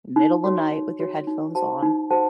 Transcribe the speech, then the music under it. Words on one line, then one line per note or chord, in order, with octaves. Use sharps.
middle the night with your headphones on,
D#4
F#4 C#5
D#4
F#4 C#5
D#4
F#4 C5 F#5 A5
D#4
F#4 C5 F#5 A5